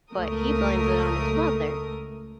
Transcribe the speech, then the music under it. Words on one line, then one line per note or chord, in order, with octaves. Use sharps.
but he blames it on his mother.
C#2 A3 A#4 D#6